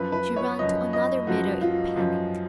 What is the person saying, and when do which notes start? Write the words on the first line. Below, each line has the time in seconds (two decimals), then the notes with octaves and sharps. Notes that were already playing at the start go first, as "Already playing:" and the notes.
She ran to another mirror in panic.
Already playing: F#2 F3 B4
0.12 B4
0.36 C#5
0.59 F#2 F3 D#5
0.93 D#5
1.27 F#2 F3 F#4
1.61 F4
1.96 F#2 F3